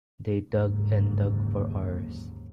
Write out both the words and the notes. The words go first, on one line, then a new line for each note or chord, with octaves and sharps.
They dug and dug for hours.
F#1 D#2 G#2 D3